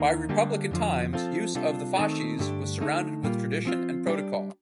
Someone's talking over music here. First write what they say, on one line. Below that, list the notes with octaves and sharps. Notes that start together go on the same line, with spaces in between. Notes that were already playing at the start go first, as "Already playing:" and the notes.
By republican times, use of the fasces was surrounded with tradition and protocol.
Already playing: D#2 D#3 A#3 D#4 A#4
D3 G3 A#3 D4 G4
F2 D3 F3
F3 C4 F4 A4
C3 G3 D4 F4 A4
D#3 A3 C4 D#4 A4
G2 D3 A3 D4 G4
D3 A3 D#4 A4
A#2 G3 A#3 F4
F3 C4 F4
G3 D4 G4 D5